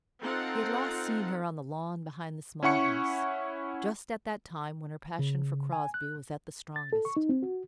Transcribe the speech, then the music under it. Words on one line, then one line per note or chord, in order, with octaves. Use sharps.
He had last seen her on the lawn behind the Small House, just at that time when her passion for Crosbie was at the strongest.
C4 D#4 F4 A4 F#5
C#4 E4 F#5 C#6 C#7
C#3
G#5
F#6
A6
A4
C#6
D#4
C4
F#4